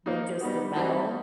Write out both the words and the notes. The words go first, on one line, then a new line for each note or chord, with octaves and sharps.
Like, just the metal
F3 A#3 D#4
G3 B3 D#4 F#4
E3 G3 C4 D#4 F#4